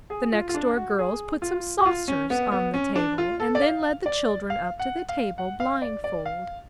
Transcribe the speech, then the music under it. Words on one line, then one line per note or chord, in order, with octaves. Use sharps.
The next-door girls put some saucers on the table and then led the children up to the table, blindfold.
G#4
F4
F4
D4
F#4
G#4
F4
F#4
F4
C#4
B3
B3
C#4
D4
F4
A4
D5
F5
D5
F5
F#5
F5
F#5
F5
D5
D5
F5